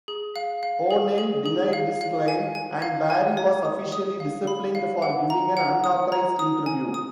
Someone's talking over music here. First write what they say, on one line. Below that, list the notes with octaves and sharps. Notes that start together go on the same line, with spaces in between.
O'Neill denied this claim and Barry was officially disciplined for giving an unauthorised interview.
G#4
F5
F5
G#4
G#4
G#4
F5
F5
G#5
G#5
F5
G#5
C#5
D#6
D#6
F5
B5
F5
F#5
A#5
F#5
D#6
A#5
D#6
G#5
D#6